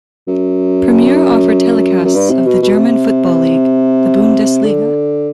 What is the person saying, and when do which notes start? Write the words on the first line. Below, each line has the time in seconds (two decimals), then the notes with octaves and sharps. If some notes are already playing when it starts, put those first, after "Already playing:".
Premiere offered telecasts of the German football league - the Bundesliga.
0.28 F#2
2.05 F#2
2.15 G2
2.31 C3
2.46 B2
2.62 B2
2.78 C3
4.64 D3